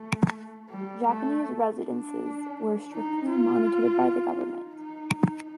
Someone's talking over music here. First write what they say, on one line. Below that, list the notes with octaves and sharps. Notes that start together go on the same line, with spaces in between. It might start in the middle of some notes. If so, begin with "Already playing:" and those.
Japanese residences were strictly monitored by the Government.
Already playing: A3
G3
A3
D4
D#4
F4
D#4
D#4
D#4